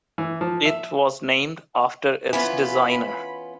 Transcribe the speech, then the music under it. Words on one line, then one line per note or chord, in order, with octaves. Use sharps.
It was named after its designer.
E3
F3
E5
E3 B3 C#4 F4 B5